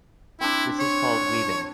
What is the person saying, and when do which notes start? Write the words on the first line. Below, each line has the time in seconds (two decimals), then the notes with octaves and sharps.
This is called Weaving.
0.41 C4 D4 E4
0.80 C#5